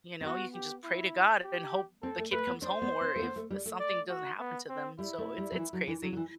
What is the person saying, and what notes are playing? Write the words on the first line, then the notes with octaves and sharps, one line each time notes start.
you know? You can just pray to God and hope the kid comes home, or if, eh, something doesn't happen to them, so it's it's crazy.
C4
B3 F#4
G4
E4
G4
C4 A4
A3
A3 B4
B3
D4 C5
B3
C4
A3
B3
A3
G3
A3
D5
F#4
B3
C4
G3 E4
A3
G3
F#3
E3
F#3
E3
F#3
F#3
E3